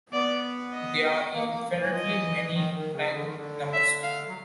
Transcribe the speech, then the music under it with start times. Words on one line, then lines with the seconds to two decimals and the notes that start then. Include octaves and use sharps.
There are infinitely many prime numbers.
0.13 B3 D5
0.74 D#5
1.33 A#3
1.48 A#3
1.78 E3
1.91 F3 D#5
2.03 E3
2.53 D#3
2.74 D#3
2.94 C#3
3.13 D3
3.24 D#3
3.35 D3
3.73 E5
4.03 F5
4.27 F#3